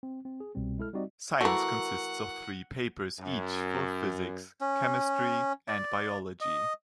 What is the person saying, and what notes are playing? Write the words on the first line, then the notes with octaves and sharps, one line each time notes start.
Science consists of three papers each for Physics, Chemistry, and Biology.
C4
C4
G#4
C2 B2 G3 C4
G#3 E4 A4 F6
G3 C4 D#4 F#4 D5 D#5
E3 A3 F#4 A#4 F#5 C#6 E6 C7
F#2
C#4
D5
D#5